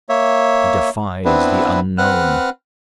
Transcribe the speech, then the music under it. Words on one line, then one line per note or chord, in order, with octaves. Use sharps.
He defies the Unknown.
A#3 C#5 E5
B3 C4 D4 E4 B4
C4 B4 F#5 F6 F#6